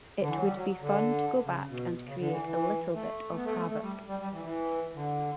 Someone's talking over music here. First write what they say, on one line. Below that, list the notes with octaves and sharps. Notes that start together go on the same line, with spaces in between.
It would be fun to go back and create a little bit of havoc!
D3
E3
F#3
G3
F#3
D3
C#3
B2
C#3
D3
E3
E3
A3
B3
A3
A3
A3
G3
G3
G3
E3
E3
D3